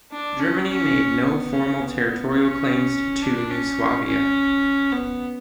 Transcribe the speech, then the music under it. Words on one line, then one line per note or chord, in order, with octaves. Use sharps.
Germany made no formal territorial claims to New Swabia.
D4
C#4
C#4
B3
C#4
B3
B3
C#4
D4
C#4
C#4
B3